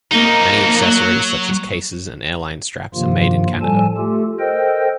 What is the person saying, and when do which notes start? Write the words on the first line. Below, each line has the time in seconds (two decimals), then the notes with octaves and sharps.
Many accessories such as cases and Airline straps are made in Canada.
0.11 F2 A#3 D#4
0.82 F#3
2.94 G2 C3 D#3 F3 A#3 F4
3.62 A2 F3 G3 A4 G#5 A5
3.97 A3 F4 G4 A4
4.39 A4 A#4 C5 D#5 G5